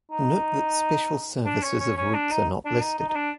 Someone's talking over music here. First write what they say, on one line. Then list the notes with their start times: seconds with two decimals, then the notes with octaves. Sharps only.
Note that special services of routes are not listed.
0.11 D#4
1.46 D4
1.63 C#4
1.80 C#4
1.97 C#4
2.14 D4
2.31 D#4
2.65 D4
2.81 D#4
2.99 D#4
3.09 D#4
3.15 D4